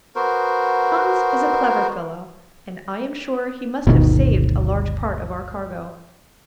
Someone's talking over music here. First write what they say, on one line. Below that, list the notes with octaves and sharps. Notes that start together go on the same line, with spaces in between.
Hans is a clever fellow, and I am sure he must have saved a large part of our cargo.
B3 F#4 A#4 C5
G1 D2 B2 D#3